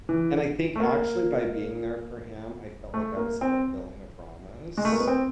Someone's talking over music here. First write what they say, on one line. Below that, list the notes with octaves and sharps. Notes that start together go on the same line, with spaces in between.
And I think, actually, by being there for him, I felt like I was fulfilling a promise,
E3
A3
A#3
A3
A#3
C4
G#3
A3
A#3
B3
C4